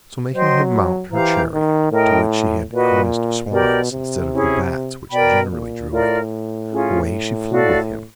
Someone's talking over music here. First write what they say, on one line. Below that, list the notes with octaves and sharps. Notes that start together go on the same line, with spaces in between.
So, making him mount her chariot, to which she had harnessed swans instead of the bats which generally drew it, away she flew with him.
F#3 C5 D#5 G5 C6
E3 G4 C5 F5 A#5
D#3
A2 A#4 D#5 G5
A#2 F#4 B4 D#5
B2 G4 A#4 D5
C3
C#4 E4 G#4
B2 A#4 D5 G5 B5
A#2
A2 F4 A#4 D5
C#4 F4 G#4
F#4 A4 D5 F5